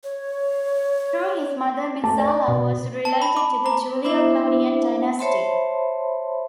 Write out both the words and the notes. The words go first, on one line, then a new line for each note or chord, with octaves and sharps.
Through his mother Messala was related to the Julio-Claudian Dynasty.
C#5
A3 A5 D6
D5
B2
A5
B5
D6
A#5
B3 D4 E4 C5 E5
C5 C#5 E5 A5 B5 C6